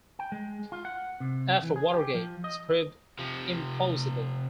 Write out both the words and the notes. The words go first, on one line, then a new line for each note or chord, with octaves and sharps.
After Watergate, this proved implausible.
G5
G#3
F4
F#5
C3
E3
G#4
G4
F3
D#5
C3 F3